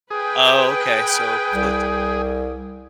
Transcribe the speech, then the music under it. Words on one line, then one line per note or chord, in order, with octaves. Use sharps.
Oh, okay. So, close.
G#4 B4 G5
C2